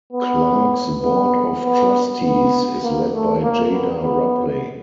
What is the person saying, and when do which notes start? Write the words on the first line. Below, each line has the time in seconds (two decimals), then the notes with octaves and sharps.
Clark's Board of Trustees is led by Jada Rupley.
0.13 B3
1.02 B3
1.63 B3
2.23 B3
2.82 A#3
3.12 A3
3.42 A#3
3.72 B3
4.03 B3